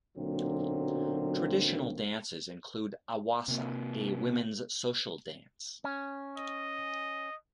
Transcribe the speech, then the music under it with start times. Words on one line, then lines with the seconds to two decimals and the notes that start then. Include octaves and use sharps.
Traditional dances include "awasa", a women's social dance.
0.17 B1 A#2 D3 F#3 A#3 C4
3.48 C3 A#3
5.84 C#4
6.37 D#5